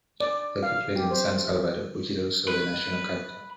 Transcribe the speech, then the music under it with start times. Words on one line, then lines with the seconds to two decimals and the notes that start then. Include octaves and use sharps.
The capital is San Salvador, which is also the national capital.
0.20 D5
0.63 F5
0.96 G4
1.11 C5
2.48 B4